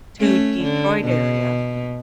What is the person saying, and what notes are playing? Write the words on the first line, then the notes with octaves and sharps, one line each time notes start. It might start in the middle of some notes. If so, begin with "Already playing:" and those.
to Detroit area,
A3 C#4
D3
B2